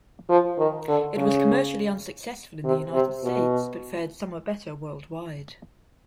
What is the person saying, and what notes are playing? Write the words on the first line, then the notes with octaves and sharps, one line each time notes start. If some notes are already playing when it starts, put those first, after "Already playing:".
It was commercially unsuccessful in the United States, but fared somewhat better worldwide.
F3
D#3
D3
C#3
C3
C3
B2